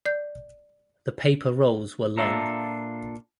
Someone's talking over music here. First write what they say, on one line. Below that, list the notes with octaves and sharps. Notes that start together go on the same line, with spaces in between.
The paper rolls were long.
D5 G6
A#2 D4 F4 A4 E5 A#5